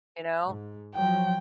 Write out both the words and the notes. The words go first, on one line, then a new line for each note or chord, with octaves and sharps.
You know?
G#2
F3 F#3 G5